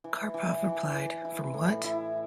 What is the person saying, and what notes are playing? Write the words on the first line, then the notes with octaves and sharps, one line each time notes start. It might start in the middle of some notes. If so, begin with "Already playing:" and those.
Karpov replied From what?
E3
E3
E3
E3
E4
A2
E4